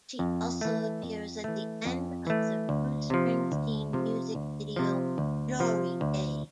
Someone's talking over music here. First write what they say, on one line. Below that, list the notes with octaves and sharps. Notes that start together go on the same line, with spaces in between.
She also appears at the end of the Bruce Springsteen music video "Glory Days".
F2
E3 A3
F2
E3 A3
F2
E3 A3
D2
C3 F3
D2
C3 F3
D2
C3 F3
D2
C3 F3
D2